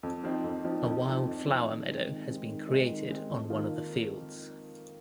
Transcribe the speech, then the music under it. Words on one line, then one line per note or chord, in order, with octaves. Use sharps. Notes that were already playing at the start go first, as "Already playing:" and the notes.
A wild flower meadow has been created on one of the fields.
F2
F3 C4 D#4
F2
F3 C4 D#4
F2
F3 C4 D#4
F2
F3 C4 D#4
D#3
G#3 C4
D#3
G#3 C4
D#3
G#3 C4
D#3
G#3 C4
F2
D#3 A#3 F4